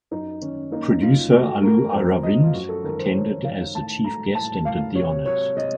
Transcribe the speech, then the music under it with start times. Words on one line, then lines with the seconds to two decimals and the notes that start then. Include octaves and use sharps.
Producer Allu Aravind attended as the chief guest and did the honours.
0.11 F#2 D#4
0.42 D#3 C#4
0.71 A#3 D#4
1.01 F#2 F4
1.32 A3 F#4
1.63 A3 A#4
1.93 F2 C5
2.23 F3 D#5
2.43 F4
2.53 F#2 F#4
2.69 A4
2.84 D#3 A#4
2.99 C5
3.14 D#3 C#5
3.44 D#3 F5
3.75 A2 A5
4.04 A3 A#5
4.35 A2 A5
4.65 A2 F5
4.95 C3 C#5
5.26 F#3 C#5
5.56 C3 D#5